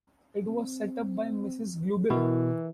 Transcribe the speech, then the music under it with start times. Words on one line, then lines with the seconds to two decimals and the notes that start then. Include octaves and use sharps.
It was set up by Ms. Glubbil.
0.47 C4
2.10 B2 E3 E4 A#4